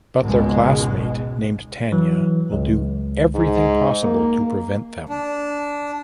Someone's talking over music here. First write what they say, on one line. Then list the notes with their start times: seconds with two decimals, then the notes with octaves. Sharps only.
But their classmate named Tanya will do everything possible to prevent them.
0.21 G#1 C#2 B2 G#3
1.92 E3 F#3
2.52 C#2
3.35 G#2
4.03 A#3
5.09 D4